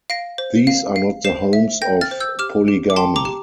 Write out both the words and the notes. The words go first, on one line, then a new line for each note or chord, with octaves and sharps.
These are not the homes of polygamy.
F5 A#6 D7
C5
F5
F5
C5 C7 E7
E5
G5 G6 A#6
F6 A6
C5
E6 G6
G4 D6 F6
G4
D6
G5 A5 C6
A#5 D6
G4